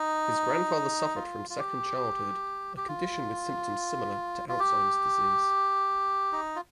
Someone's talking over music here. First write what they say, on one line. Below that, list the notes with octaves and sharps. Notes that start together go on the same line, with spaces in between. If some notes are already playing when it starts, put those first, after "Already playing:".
His grandfather suffered from Second Childhood, a condition with symptoms similar to Alzheimer's Disease.
Already playing: D#4
F4
F4
G4
G4
F4
F4
G4
D#4
F4